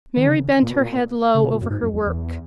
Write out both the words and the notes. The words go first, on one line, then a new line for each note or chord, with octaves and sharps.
Mary bent her head low over her work.
D#3
C#3
A#2
B2
A#2
C#3
B2
A#2
F#2
G#2
F#2
E2
E2